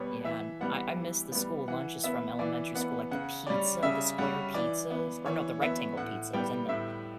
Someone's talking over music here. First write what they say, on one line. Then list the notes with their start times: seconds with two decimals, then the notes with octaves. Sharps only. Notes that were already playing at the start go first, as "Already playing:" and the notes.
Yeah, an I I missed the school lunches from elementary school, like the pizza, the square pizzas, or no, the rectangle pizzas and the
Already playing: B2 G3 B3 C#5
0.24 E3 E5
0.61 G3 B3 F#5
0.96 E3
1.32 G3 B3
1.68 E3 F#5
2.04 B3 E5
2.39 E3 D5
2.75 B3 F#5
3.11 C#3 F#5
3.47 G3 C#4 D5
3.83 C#3 E5
4.18 G3 C#4 F#5
4.54 E3 D5
4.90 B3
5.26 E3 C#5
5.62 B3 E5
5.97 A2 F#5
6.33 G3 B3 G5
6.69 A2 E5